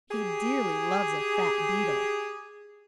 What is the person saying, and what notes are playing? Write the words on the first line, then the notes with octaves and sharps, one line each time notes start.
He dearly loves a fat beetle.
G4 G#4